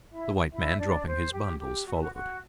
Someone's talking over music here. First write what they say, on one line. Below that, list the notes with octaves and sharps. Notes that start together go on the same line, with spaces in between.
The white man, dropping his bundles, followed.
E4 E5
E4 E5
D4 D5
C5
G4
G4
F#4
E4
F#4
F#4